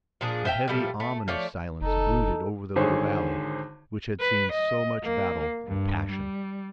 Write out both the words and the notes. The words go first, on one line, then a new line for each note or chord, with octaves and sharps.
A heavy, ominous silence brooded over the little valley which had seen so much battle and passion.
A#2 F3 D4 G#4
C5 E5 F5 G5
A#2 F3 G3 A3
A3
F3 A3 C#5 D5
F#1 D#4 A4
G#1 D3 D#3 G#4 C5 C#5
B4
D#5
A#3
G2
G3